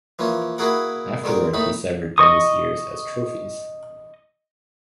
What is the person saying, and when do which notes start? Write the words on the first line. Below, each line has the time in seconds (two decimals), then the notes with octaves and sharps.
Afterward, he severed Beni's ears as trophies.
0.19 E3 F3 A#3 C#4
0.58 A#3 E4 F#4 G#4 A#4 F#5
1.24 D3 D#3 G#3 A#4
1.54 D#2 A2 D#3 D#4 B5
2.18 D#5 C#6 D#6